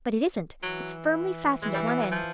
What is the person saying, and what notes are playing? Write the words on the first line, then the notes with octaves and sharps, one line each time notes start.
But it isn't--it's firmly fastened at one end.
E3 F#3
E3 G#3
G3
F#3
F#3
F3